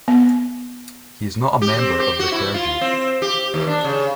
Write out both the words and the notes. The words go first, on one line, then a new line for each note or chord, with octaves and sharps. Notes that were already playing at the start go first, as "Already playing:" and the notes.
He is not a member of the clergy.
B3
G4
C4
G4
F#4
E4
F4
C4
G4
D#2
D4
C#3